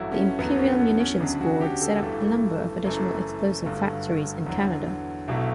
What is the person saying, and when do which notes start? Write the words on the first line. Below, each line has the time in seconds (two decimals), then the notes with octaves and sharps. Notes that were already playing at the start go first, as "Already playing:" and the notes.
The Imperial Munitions Board set up a number of additional explosives factories in Canada.
Already playing: A1 G2 F#3 A3 E4 F#4
0.12 C#4
0.39 E2 D3 F#3 A3 B3
0.59 C#4
0.80 B3
1.00 C#4
1.21 D2 C#3 F#3 D4
1.41 F#4
1.61 G4
1.82 A4
2.02 A1 G2 E3 A3 A4
2.83 F#1 F#2 E3 A3
3.65 G1 G2 F#3 A3
4.47 E2 D3 F#3
5.28 B1 B2 F#3 A3 E4